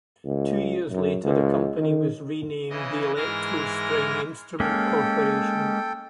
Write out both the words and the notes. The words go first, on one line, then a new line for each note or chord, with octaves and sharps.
Two years later the company was renamed the Electro String Instrument Corporation.
C#2
F#2
C#2
D#3
C#3 E3 D#5
G#2 E3 G#3 A#4 F6 A#6
G#3 A#3 C#4 A4 G5